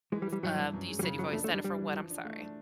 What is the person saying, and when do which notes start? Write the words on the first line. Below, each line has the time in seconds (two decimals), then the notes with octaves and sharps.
Uh, do you said you've always done it for what? I'm sorry.
0.12 E3 G#3
0.22 G3
0.27 E3
0.33 G3
0.43 G2 F#3
0.58 G2
0.73 F#2
0.88 G#3
0.99 G3
1.03 C#3 F#3
1.18 F3 F#3
1.33 A3 D4
1.44 A3
1.49 D4
1.54 G3
1.64 G3 D4
1.79 E3
1.95 F3
2.10 D4
2.25 A3
2.40 D4